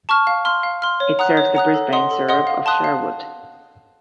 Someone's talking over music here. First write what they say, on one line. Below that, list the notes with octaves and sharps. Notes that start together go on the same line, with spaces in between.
It serves the Brisbane suburb of Sherwood.
A5 C#6 F6
F5
C6 F6
F5
C6 F6
C#5
F#5 A#5 D#6 F#6
C#5
F#5 A#5 D#6 F#6
A4
D#5 F#5 C6 D#6
A4
D#5 F#5 C6 D#6
F5
A5 C6 D#6 F#6
F5